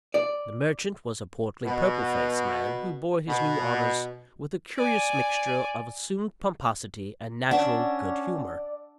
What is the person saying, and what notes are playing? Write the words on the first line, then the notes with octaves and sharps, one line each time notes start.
The merchant was a portly, purple-faced man, who bore his new honours with a curious mixture of assumed pomposity and natural good-humour.
D5
B2
B2
D5 G#5
C#4 D4 D5 E5 F#5